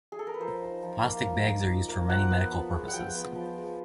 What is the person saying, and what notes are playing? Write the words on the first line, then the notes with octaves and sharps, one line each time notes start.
Plastic bags are used for many medical purposes.
G#4
A4
A#4
B4
F3 C5
D#4
F3
A#3
F3
D#4
F3
A#3
F3 F#5
B3
F3
G#3
F#5
F3 G5
B3
F3
G#3